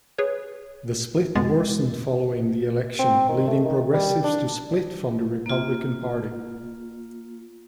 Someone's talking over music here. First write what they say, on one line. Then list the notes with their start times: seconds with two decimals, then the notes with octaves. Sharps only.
The split worsened following the election, leading progressives to split from the Republican party.
0.18 G#4 B4 C#5
1.35 F2 B2 G#3 B3 A6
2.99 C4
3.29 D#3
3.47 A3
3.64 D#3
3.93 G3
4.24 D4
5.46 A#3 F4